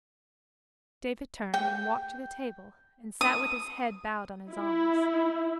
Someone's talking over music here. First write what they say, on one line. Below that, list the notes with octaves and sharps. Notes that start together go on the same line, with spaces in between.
David turned and walked to the table and sat with his head bowed on his arms.
G5
D#6
E4